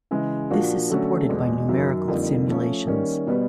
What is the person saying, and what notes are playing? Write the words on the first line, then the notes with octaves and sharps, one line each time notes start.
This is supported by numerical simulations.
C#3 E3 G#3
A#2 F3 A#3 D4 F#4
D3 F#3 A3 C#4 F#4
E2 B2 G#3
F#2 D#3 F#3
F2 D3 G3 A#3 D#4
F3 A3 C#4
D#3 G3 A#3 C#4
B2 G3 B3